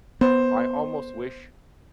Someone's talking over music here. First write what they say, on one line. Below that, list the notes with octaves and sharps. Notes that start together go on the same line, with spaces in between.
I almost wish,
B3 C5